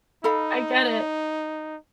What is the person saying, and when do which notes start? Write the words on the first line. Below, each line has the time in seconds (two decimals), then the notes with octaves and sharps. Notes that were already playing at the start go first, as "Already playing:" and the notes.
I get it.
0.24 D#4 A4 F5 B5